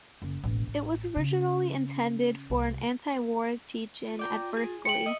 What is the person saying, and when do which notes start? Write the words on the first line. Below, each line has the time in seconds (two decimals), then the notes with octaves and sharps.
It was originally intended for an anti-war teach-in at Berkeley.
0.22 F#1
0.44 E1 A1
0.67 A1
1.16 C#3
2.50 C2
4.05 F4
4.19 D5 G5 A#5
4.57 G#4
4.85 G5 C#7 F#7
5.06 D#5 E5